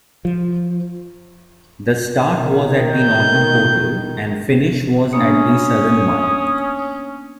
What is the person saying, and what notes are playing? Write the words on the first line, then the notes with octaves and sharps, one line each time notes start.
The 'start' was at the northern portal and 'finish' was at the southern one.
F3
B2 D#3
G6
A#3 B3 C#4 D4 D#6